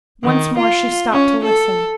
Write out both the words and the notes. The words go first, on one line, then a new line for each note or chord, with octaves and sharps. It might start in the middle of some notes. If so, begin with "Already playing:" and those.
Once more she stopped to listen.
D#3
F4
C#4
A4